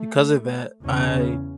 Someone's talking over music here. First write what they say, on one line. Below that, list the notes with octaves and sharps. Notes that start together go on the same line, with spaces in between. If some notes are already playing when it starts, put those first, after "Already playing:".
because of that, I
Already playing: A3
E2 C#3 C#4